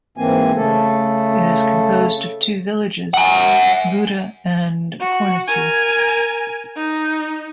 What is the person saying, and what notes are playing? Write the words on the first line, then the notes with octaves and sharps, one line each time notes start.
It is composed of two villages, Buda and Cornetu.
G#2 E3 A#3 C4 G#5
C#3 A3 A4
F#5 G#5
F#4
A#4 G#5
D#4